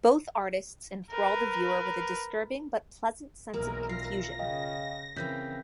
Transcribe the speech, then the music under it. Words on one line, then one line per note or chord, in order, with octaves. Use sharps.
Both artists enthrall the viewer with a disturbing but pleasant sense of confusion.
A#4 B4
B1 E3 A#3 G#4 A#4
F4 A#6 C7
C#3 D#5 F5 G5
C#3 E3 A#3 C4 G6 B6